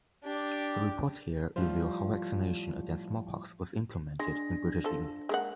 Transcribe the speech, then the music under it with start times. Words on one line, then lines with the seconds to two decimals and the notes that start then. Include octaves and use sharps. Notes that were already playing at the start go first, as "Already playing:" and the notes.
The reports here reveal how vaccination against smallpox was implemented in British India.
0.24 D4 G4
1.56 A2 F3 G3 F4 C5
4.19 G#3 D4 A#6
4.84 F3 A4
5.29 G#3 A#3 F#5